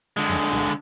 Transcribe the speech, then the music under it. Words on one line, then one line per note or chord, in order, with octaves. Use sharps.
You too.
D3 G#3